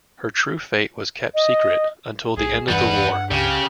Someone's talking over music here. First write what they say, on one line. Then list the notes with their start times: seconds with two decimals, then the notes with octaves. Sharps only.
Her true fate was kept secret until the end of the war.
1.35 D#5
2.37 B1 G#4
2.68 E1 G2 E3 G3 B4 F#5
3.31 C#2 C#3 G4